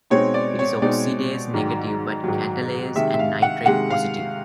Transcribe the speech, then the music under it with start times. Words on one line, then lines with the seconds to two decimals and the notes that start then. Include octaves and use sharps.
It is oxidase-negative but catalase- and nitrate-positive.
0.10 B2 G#3 C4 D#4 C#5
0.34 D5
0.59 C#5
0.82 B2 G#3 C4 D#4 D5
1.54 G#2 D#3 F#3
2.24 G#2 D#3 F#3
2.95 C3 D#3 G#3 E5
3.14 E5
3.19 F5
3.42 F#5
3.66 C3 D#3 G#3 F#5
3.90 F5